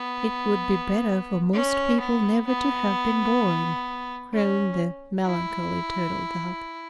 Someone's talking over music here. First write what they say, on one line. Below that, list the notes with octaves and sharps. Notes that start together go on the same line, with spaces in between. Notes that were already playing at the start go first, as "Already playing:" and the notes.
"It would be better for most people never to have been born," crooned the melancholy Turtle-Dove.
Already playing: B3
C#4
B3
B3
C#4
E4